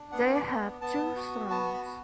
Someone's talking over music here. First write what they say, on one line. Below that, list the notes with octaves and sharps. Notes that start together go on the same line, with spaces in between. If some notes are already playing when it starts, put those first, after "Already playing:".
They have two sons.
Already playing: D4
B3 F#5
D5
B3
B3 A5
F#4
B3 A5
B5
B3